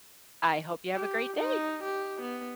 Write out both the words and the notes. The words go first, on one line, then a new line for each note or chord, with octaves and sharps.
I hope you have a great day.
G4
D#4
G4
B3